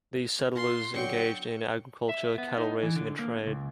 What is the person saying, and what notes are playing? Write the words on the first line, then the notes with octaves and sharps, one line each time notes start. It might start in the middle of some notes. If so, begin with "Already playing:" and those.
These settlers engaged in agriculture, cattle-raising, and trade.
F4 C6
D3 F#3 F#4 G5 C#6
E5
B3
D#4
E3
D3
A#3
C#2